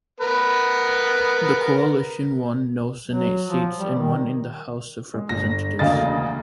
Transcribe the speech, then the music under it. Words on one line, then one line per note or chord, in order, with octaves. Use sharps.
The coalition won no Senate seats and one in the House of Representatives.
B3 A#4 B4
F#3
F3
G3
D#3
G#3
G1 A#6
E1 D2 C#3 A#3 D#5 A6